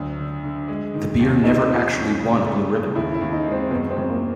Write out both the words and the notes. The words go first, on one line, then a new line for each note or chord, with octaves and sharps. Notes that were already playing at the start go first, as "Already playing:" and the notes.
The beer never actually won a blue ribbon.
Already playing: D2 F#3 D4
D3
D3
G#3
D#3
D#2
A3 D#4
F3
C#4
C#3
A3
C#3
D#2 E4
E4
D#2
D#4
G#3
C4
F#2 B3
C4
F#2
A#3